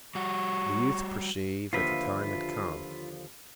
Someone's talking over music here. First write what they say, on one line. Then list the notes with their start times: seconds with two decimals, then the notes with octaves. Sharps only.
The youth perceived that the time had come.
0.15 G3 F#4 C#6
1.73 D#2 D3 F3 F4 B4 E5